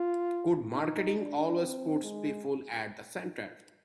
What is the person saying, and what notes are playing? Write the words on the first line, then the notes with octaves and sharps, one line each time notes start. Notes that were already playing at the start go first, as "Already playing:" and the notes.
Good marketing always puts people at the center.
Already playing: F4
D#4
D4
C4
G#3